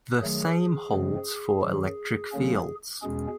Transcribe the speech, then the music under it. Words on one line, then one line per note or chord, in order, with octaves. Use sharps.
The same holds for electric fields.
D#3 F#3 A3 G#4
F#2 C#3 F3 G#3 C4
F#2 D#3 F#3
D3 F#3 A#3 C#4
E2 B2 G#3 C#4 G#4